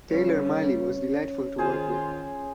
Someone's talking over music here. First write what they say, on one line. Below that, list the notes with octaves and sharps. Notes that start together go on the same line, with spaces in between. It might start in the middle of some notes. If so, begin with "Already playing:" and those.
Taylor Mali was delightful to work with.
C#3 E3 G3 C#4 C#5
D#3 F4 G#4 C5 G#5